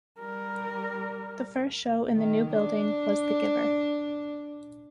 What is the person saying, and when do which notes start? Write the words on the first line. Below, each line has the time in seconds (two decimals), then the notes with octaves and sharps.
The first show in the new building was The Giver.
0.19 G3 A#4
2.16 D#3
2.51 D4